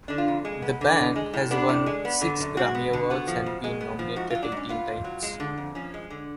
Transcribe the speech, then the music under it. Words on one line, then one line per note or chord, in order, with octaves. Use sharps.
The band has won six Grammy Awards and been nominated eighteen times.
D3 D4
F4
F2
G#3
B3
D3
A2
G#3
A2
B3 D4
A2
G#3
B3
D3
F#2
G#3 F#4
B3
D3
B3 F#4
F3
F2
G#3
B3
F3
G#2 F#4
F4
F#3
D4
G#2 C#4
B3 F4
G#2
F#3
G#3
D3
F2
F3 C#4
G#3
D3